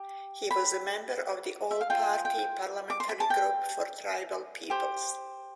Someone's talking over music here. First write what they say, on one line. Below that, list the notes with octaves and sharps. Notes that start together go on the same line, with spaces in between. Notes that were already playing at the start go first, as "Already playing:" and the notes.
He was a member of the All-Party Parliamentary Group for Tribal Peoples.
Already playing: G4
B5
E5
F5
F4 C5 G5
G5
D6
C6
B5
A5
G5
G4 C5